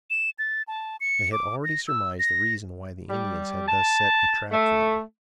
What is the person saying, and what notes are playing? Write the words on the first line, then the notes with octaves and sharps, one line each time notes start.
They had already surmised the reason why the Indians had thus set a trap for them.
E7
A6
A5
C#7
D6
A#6
E6
A#6
G3
A5
A3